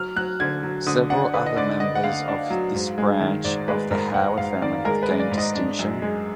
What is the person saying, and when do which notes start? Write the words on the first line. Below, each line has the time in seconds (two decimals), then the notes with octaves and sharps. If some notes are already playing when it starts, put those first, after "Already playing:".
Several other members of this branch of the Howard family have gained distinction.
Already playing: F#3 F6
0.16 F#3 F#6
0.40 D3 G#6
0.63 F#3
0.86 D3 D#6
1.10 D4 F#5
1.34 D3 B4
1.46 D#5
1.56 D3 D5
1.80 D3 D#5
1.95 F#5
2.04 D3 F5
2.28 D4
2.50 F#3
2.74 G#2
2.98 G#3
3.20 D#3
3.45 G#2 D5
3.68 G#3 B4
3.91 G#2 A#4
4.14 G#2 F#5
4.38 G#2 F5
4.62 D#3 D5
4.85 G#3 A#4
5.03 B4
5.09 G#3
5.20 D5
5.32 G#2
5.38 D#5
5.55 D4
5.79 F#2
6.02 G#3